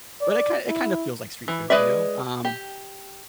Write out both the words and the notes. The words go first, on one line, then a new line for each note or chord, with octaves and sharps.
But it kinda it kinda feels like street food, you know? Um,
D5
E4
E3
G#3 B4 D5 E5
G4